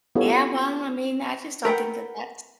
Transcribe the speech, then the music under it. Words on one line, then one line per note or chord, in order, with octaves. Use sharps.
Yeah, well, I mean, I just don't think that that's
B3 E4 F4 G4 A4 C#5
A#4 B4 F#5 G5